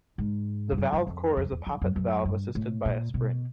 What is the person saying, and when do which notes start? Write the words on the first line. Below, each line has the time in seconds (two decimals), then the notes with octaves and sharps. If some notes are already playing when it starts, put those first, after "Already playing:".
The valve core is a poppet valve assisted by a spring.
0.18 G#2
0.72 G2
0.78 F#2
0.92 F#2
1.07 F2
1.37 F2
1.52 E2
1.67 F2
1.82 F#2
1.96 F#2
2.25 G2
2.55 A2
2.85 A#2
3.14 B2